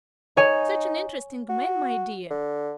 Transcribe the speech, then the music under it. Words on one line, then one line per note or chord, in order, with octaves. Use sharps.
Such an interesting man, my dear.
D#4 C#5 G#5
F#4
D3